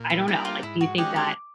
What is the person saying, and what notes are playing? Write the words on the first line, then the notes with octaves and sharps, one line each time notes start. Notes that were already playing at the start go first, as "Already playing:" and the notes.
I don't know, like, do you think that
Already playing: A#2
E4
G3 A#3 D4 E4
F4
G#2 E4
F#4
D#3 G#3 C#4 F#4 G4
G4